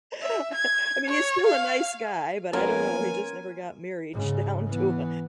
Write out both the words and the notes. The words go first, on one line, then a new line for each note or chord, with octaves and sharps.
I I mean, he's still a nice guy, but I don't know, he just never got marriage down to a
E5
G#6
C#5
F5
F3 A#3 B3 C#4 F4 A#4 G#5
G#2 C#3
E3 B3